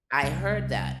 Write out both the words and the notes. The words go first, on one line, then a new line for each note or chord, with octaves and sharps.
I heard that,
C2